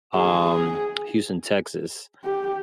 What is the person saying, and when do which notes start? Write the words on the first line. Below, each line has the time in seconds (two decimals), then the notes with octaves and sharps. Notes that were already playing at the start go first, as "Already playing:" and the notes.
um, Houston, Texas.
0.16 G#4
2.25 G4